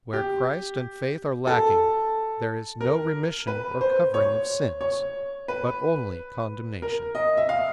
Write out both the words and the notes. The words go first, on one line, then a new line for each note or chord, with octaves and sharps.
Where Christ and faith are lacking, there is no remission or covering of sins, but only condemnation.
G4
A4
A#4
B4
C5
C#5
C#5
B4
A#4
D#5
E5
F5